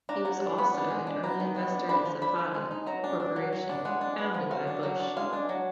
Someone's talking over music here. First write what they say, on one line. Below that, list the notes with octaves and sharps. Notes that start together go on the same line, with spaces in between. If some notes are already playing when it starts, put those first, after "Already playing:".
He was also an early investor in Zapata Corporation, founded by Bush.
D4 A#5
F#3 A#5
D4
B3 B5
D4
G#3
D4
B3 A#5
D#3
B3
D4
D4 B5
F3
D4 B5
F3
G#3
D#4
F#3 A#5
D4
D4
F#3
F#3
D4
G#3 F#5
D4
B3
F3
F#3 F5
D4
F#3
D4
G#3 F5
D4
F#3